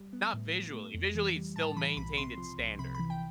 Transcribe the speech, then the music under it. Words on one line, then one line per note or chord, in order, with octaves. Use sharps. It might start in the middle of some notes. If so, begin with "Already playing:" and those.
Not visually, visually, it still maintained its standard;
Already playing: G3
B3
A2
F3
A3
F2
E3
G3
A2 A5
E3 B5
B1 B5
C3 C6
F3
C2
C3 B5
E3 B5
G5